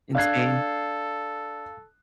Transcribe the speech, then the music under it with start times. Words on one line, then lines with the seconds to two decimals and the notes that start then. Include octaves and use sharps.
in Spain?
0.15 D4 A4 F5 F#6 G#6 C7